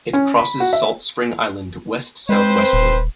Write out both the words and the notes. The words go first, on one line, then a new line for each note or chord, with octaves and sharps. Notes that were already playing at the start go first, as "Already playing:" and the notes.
It crosses Salt Spring Island westsouthwestly.
C#4
B5
F#4
E5
G#3 C4 B4 C5
D#1